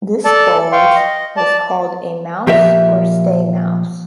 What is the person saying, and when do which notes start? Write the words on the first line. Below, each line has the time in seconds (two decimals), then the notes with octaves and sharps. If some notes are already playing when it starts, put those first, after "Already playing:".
"This bulge" was called a mouse or stay mouse.
0.25 A4 D5 A5
0.72 F5 G5 C6 C#6
0.96 D#5
1.37 D5 A5
2.47 A#2 F3 G4 A#4 E5